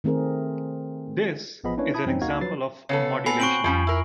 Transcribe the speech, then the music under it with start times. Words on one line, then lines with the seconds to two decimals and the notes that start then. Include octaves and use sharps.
This is an example of modulation.
0.04 D#3 A3 C4 G#4 A#4
1.64 A1 F3 B3 G#4 D#5 B5
1.77 A#3 C#4 D4 E4 B4 C#5
1.94 E4 A5 B5 D#6 G#6
2.06 F#2 E3 G3 C4 C#4 D#4
2.21 D2 A#3 D#4 F#4 F5 G#6
2.41 F3 F#3 B4 A6 C7
2.89 C#3 B3 A4 C#5
3.26 B3 A4 G#5 B5 C7
3.40 C4 F#4 C#6 D7 F#7
3.64 F2 F3 G3 C#4
3.87 E4 A#4